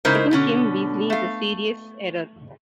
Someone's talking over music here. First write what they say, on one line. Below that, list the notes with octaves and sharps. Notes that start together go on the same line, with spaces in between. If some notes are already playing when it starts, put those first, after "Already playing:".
I think Kim Beazley is a serious error.
C#3 G#3 D#4 E4 A#4 C5
B2 D3 C#4
A3 F5